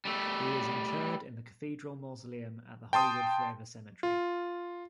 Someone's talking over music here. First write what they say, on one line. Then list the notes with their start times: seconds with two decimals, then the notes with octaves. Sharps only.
He is interred in the Cathedral Mausoleum at the Hollywood Forever Cemetery.
0.05 G3 A3
2.93 G5 A5 C6 D#6
4.03 F4